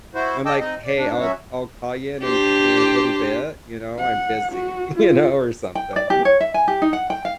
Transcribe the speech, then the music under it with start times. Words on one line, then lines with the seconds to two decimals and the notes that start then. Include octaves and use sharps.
I'm like, "Hey, I'll I'll call you in a m in a little bit, you know, I'm busy," you know, or something.
0.15 E4 F#4 C5
0.46 D#5 G5 A5 D6 E6
0.60 C4 D#4 D#5
0.84 D5
0.97 G#2 D4
1.19 F#3 C#4 F#4 C#5 E5
2.22 D4 G4 C5
3.99 F#5
4.52 F#4
4.95 F4
5.75 G5
5.96 D5
6.10 G4
6.25 C#5
6.40 E5
6.54 G#5
6.68 G4
6.82 D#4
6.93 F#5
7.10 G5
7.25 F5